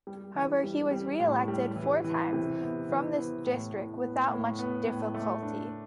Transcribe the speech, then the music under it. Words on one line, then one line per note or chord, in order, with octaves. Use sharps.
However, he was reelected four times from this district without much difficulty.
G3
E3
G3
G3
A2
G3
E3
E3
C3
B3
E3
B3
A2
A2
B3
A2
B3
A2
A3
D4